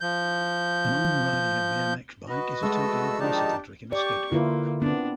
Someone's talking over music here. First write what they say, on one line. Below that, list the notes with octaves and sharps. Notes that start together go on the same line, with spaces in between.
A man riding a BMX bike is attempting a bicycle trick in a skate park.
F3 G6
F#4 B4 D#5
G#3 A3 A4 E6
D#3 F3 D4 D#4 G4 A5
G4 D5 C#6
D3 A#3 E4 F4 B4
B3 C4 D4